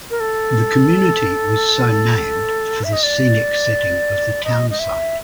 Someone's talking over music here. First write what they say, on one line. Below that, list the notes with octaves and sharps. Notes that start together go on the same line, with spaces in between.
The community was so named for the "scenic" setting of the town site.
A#4
A4
E5
D#5
D5
D#5
D#5
E5